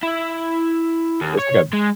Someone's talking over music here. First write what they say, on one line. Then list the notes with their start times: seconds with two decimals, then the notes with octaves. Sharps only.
it's, like, a
0.03 E4
1.21 D#2
1.39 C#5
1.73 G#3